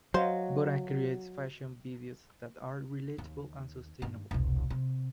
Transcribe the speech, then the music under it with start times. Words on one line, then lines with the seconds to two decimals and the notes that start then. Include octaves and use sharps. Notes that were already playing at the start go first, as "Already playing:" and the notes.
Borah creates fashion videos that are relatable and sustainable.
0.14 F#3 F#4 C5 D#5 F5
3.18 D#2
4.02 G2 D#3
4.31 E1 C2
4.70 C3